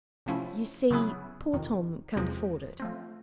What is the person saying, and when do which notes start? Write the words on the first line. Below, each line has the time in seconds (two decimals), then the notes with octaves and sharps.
"You see, poor Tom can't afford it."
0.26 C3 F3 A3 C#4 E4
0.91 C#3 F#3 B3 E4 G#4
1.53 F2 C3 D#3
2.16 E2 C3 F3 G#3 C4
2.80 F3 A3 C4